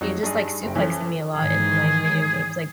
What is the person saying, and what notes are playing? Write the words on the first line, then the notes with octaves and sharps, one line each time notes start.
he's just, like, suplexing me a lot in, like, video games, like
F2 F#3 D#4
G2 D4 D#4 G#4
F#1 G5
E3 F3 C#4 A4
G#2 D#3 E3 G#4